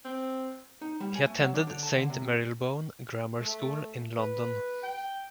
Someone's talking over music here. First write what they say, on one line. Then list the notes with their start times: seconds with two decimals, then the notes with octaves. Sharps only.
He attended Saint Marylebone Grammar School in London.
0.05 C4
0.81 D#4
1.00 G3
1.15 G#5
1.27 A3
1.40 F#3
1.54 D4
1.67 D3
1.83 A5
1.96 D3
2.10 C3
3.40 A3
4.17 B4
4.82 G5